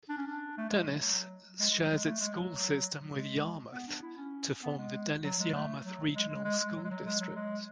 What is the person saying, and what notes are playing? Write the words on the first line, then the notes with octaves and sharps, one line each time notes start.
Dennis shares its school system with Yarmouth to form the Dennis-Yarmouth Regional School District.
D4
C#4
D4
A3
G#3
F#3
G#3
G#3
F#3
G#3
A3
G#3
F#3
G#3
B3
D4
E4
C#4
B3
G#3
F#3
G#3
A3
F#3
G#3
G#3
G#3
G#3
F#3
G#3
F#3
G#3
F#3
G#3